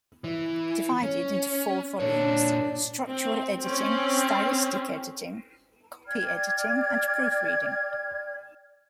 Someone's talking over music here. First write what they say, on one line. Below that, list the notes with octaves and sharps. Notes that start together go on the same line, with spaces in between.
Divided into four volumes: structural editing, stylistic editing, copy editing, and proofreading.
E3
C#4
A#2 D4 C#5
C4
C4 C#4
D5 G5 F6 G#6